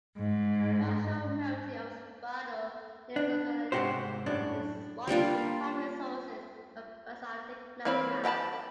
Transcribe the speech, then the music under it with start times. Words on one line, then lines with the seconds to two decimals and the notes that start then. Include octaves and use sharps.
Partial melting of spinel lherzolite is one of the primary sources of basaltic magma.
0.19 G#2
3.16 D4
3.72 G#2 C3 F3 F#4 G4 C5
4.26 F#2 A2 D4
5.08 G3 A#3 D4 F4
7.85 E3 A#3 C4 C#5 B5
8.24 B3 G4 G5 A5 B5